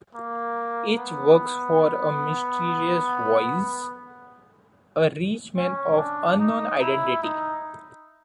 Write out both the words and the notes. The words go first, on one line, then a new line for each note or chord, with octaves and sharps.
Each works for a mysterious "Voice", a rich man of unknown identity.
A#3
B3
C#4
D4
D#4
E4
D#4